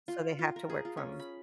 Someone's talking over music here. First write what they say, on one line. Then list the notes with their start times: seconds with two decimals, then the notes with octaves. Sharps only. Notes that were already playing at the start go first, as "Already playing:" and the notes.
So, they have to work from
0.08 F4
0.39 F4
0.56 A#4
0.70 G#4
0.85 F4
0.97 C#4
1.20 B5